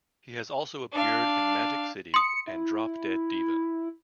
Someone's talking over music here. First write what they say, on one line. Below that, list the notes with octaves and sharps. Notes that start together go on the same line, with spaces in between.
He has also appeared in "Magic City" and "Drop Dead Diva".
D4 F5
C6 D#6 C#7
E4